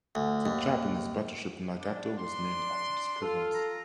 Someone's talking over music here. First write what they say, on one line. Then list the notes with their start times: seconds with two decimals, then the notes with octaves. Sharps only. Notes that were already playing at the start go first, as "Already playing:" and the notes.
The Japanese battleship "Nagato" was named after this province.
0.15 D2
0.46 D#2
1.76 D4
2.15 D4 C6
3.21 F4 A4
3.52 F4 A#5